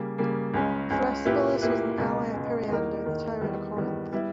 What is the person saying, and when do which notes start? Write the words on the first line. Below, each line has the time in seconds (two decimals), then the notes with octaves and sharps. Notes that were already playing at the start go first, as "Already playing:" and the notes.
Thrasybulus was an ally of Periander, the tyrant of Corinth.
Already playing: C#3 G3 A#3
0.18 C#3 G3 A#3
0.54 C#2 C#3 G#3 C#4
0.90 C#2 C#3 G#3 C#4
1.25 A#2 A#3 E4 G4 B4
1.62 A#2 A#3 E4 G4 B4
1.98 C#2 B2 G#3
2.33 C#2 B2 G#3
2.69 E2 D#3 A#3 D#4 A#4
3.05 E2 D#3 A#3 D#4 A#4
3.41 E2 D#3 G3 B3
3.76 E2 D#3 G3 B3
4.13 G3 B3 E4